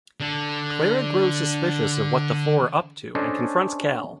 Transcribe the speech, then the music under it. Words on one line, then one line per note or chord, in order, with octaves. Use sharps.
Clara grows suspicious of what the four are up to and confronts Cal.
D3 A4
C#4 D4 A4 C5 D#5